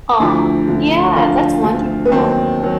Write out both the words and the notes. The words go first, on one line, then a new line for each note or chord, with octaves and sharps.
Aw, yeah, that's wonderful.
D2 D3 F3 E4
D2 D3 F3
D2 D3 F3 F4
D2 D3 F3
B3
D#2 D#3 F#3 C4
D#3 F#3